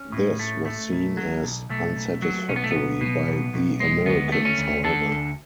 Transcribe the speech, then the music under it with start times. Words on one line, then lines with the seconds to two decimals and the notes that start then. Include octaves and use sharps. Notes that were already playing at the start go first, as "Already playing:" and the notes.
This was seen as unsatisfactory by the Americans however.
Already playing: C#4
0.12 A2
0.39 A3
0.65 A3
0.92 B1
1.17 F#3
1.44 B1
1.70 B1 A3
1.96 B1
2.22 F#3
2.49 B1 C#4
2.56 B3
2.64 A3
2.71 B1 B3
3.01 B2
3.27 B1
3.54 B1
3.80 G#3
4.06 D2 B3
4.32 A3
4.45 C#4
4.58 D2
4.84 D3 A4
5.11 D2